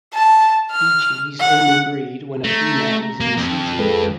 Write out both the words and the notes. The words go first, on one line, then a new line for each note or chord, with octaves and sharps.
Heechees only breed when a female is in season.
A5
F6
F#5
A3 A#5
A#3
F2
G#3 A4 B4